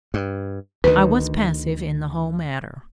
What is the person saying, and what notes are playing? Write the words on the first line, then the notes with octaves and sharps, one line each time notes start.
I was passive in the whole matter.
G2
D2 D#3 B4